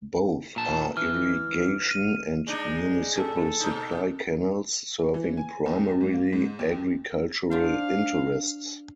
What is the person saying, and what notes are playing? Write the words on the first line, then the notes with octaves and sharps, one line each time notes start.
Both are irrigation and municipal supply canals serving primarily agricultural interests.
A#2 A5
E3 F6
D#7
G#3 D4 D#4
A2 A4
B2 D#4
E3
G#5
D#2
G#2
A#3
G#2
D#2
D4 C5 F5